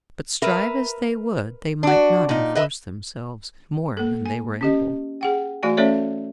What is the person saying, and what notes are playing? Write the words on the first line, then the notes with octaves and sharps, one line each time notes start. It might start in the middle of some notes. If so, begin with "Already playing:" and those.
But strive as they would they might not enforce themselves more than they were able.
A#4 B4 E5
D4 F#4
A#2 D#4
B4 D#5 E5
A#3 A4
G#5
C#4 G4 D#5
G#4 F#5 G5
E3 A3 F#4 D5 G#5
A3 C#4 A4 C#5 D5 E5